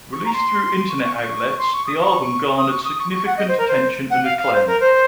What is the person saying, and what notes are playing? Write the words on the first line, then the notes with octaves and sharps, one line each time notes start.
Released through internet outlets, the album garnered significant attention and acclaim.
C#6
A#5
C6
C6
C#6
C#6
C#6
C6
C#6
D#6
C#6
C#6
D#6
C#6
D#6
C#6
C#6
F#5
D#5
C5
A#4
C5
F#5
F5
F5
C5
A#4
C5